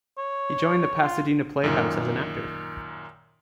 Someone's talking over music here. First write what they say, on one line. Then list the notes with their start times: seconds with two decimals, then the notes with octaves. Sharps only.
He joined the Pasadena Playhouse as an actor.
0.18 C#5
1.01 F4
1.64 F#2 A#2 D#3